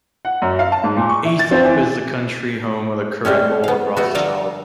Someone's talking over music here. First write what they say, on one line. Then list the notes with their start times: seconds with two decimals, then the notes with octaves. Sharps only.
Eythrope is the country home of the current Lord Rothschild.
0.25 F#5
0.42 F#2
0.59 F5
0.72 A5
0.84 G#2
0.97 A#2
1.09 C#6
1.25 E4
1.39 A6
1.51 C4
1.65 E3
3.25 C3 G3 G#3 C#4
3.64 B3 F5
3.97 A3 B3 F#4
4.15 D3 F3 A4 A#4 F5